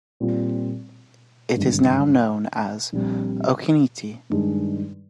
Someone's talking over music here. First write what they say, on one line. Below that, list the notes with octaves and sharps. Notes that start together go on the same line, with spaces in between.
It is now known as ookinete.
A#2 G3 C4 F4
G#1 G2 D3 G#3
A#1 A#2 G3 C4
G2 D#3 G#3 D4 G#4